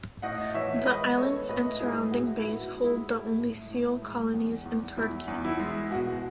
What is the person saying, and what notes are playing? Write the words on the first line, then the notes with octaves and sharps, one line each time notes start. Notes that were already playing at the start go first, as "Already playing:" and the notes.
The islands and surrounding bays hold the only seal colonies in Turkey.
A2 D#5 F#5
E3 C#5 E5
G#3 B4 D#5
B3 A4 C#5
A2 B4 D#5
G#3 E4 G#4
A2 F#4
E4
B3
F#4
G#3
E4 G#4
A2
A2
A2
G#3
E2
E2
E2 E4
E2
E4
G#3
B2 F#4